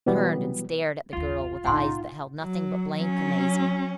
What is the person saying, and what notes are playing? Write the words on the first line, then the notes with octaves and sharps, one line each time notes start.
He turned, and stared at the girl with eyes that held nothing but blank amazement.
B2 E3 F#3 G3 B3
G1 D#2 F4
B1 A2 D#4 F#5 G#5 C6
F#3
F#3 C#4